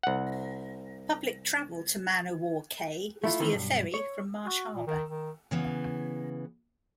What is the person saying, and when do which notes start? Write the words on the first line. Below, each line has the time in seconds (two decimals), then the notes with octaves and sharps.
Public travel to Man-O-War Cay is via ferry from Marsh Harbour.
0.03 C2 F#5
3.24 A3 E4 F4
3.40 D#3 E3 C4
3.53 B1 G2
3.94 C#5
4.46 F#4
4.76 A#2
4.87 D#3
5.09 D#3
5.51 C#3 E3 B3